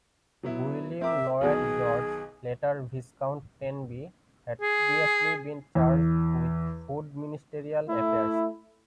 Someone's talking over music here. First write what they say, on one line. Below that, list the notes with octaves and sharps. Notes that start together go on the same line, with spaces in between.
Gwilym Lloyd George "later" Viscount Tenby had previously been charged with Food ministerial affairs.
F#3 B3 E4
C4 A#4 E5 D6
B1 B2 D#3 G#4
G#4
E2
A3 E4